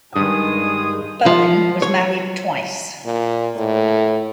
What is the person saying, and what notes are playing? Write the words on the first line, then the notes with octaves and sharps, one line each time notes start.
Bowen was married twice.
G2 D#3 G#3 G#4 D#6
F3
C#5
A#2
A2